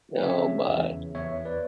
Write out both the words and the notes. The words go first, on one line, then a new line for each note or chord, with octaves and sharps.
Oh, my,
C#3 C#5 E5
E2
E2 C#5 E5
B4 D5